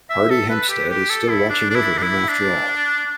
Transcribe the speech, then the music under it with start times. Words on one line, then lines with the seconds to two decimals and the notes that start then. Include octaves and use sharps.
Hardy Hempstead' is still watching over him after all.
0.10 E5
0.30 A4
0.50 B4
0.69 G4
0.90 G4
1.10 A4
1.29 E4
1.50 D4
1.70 D4
1.76 E4
1.98 D4
2.03 E4
2.29 D4